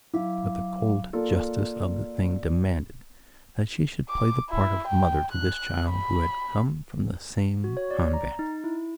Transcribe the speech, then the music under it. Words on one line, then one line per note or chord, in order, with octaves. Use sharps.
But the cold justice of the thing demanded that she should play the part of mother to this child who had come from the same convent.
F#3 E4 F5 D6
A#3 F4 A4 D5
D6
E4
G5
F#6
B5
F#4
C#5
D5
A#5
D#4
E4